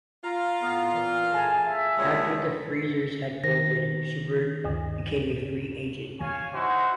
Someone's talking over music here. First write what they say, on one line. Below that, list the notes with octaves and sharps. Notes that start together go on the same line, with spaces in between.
After the Freezers had folded, Schubert became a free agent.
F4 F5 A#5
A2 B3
A#2 E3
A2 G#4 G#5 A5
E5
D2 A#2 G3 G#3 C#5
D#3 A#4 C5 A#6
D2 G2 D3
C#5 F5 G#5
D#4 E4 F#4 C5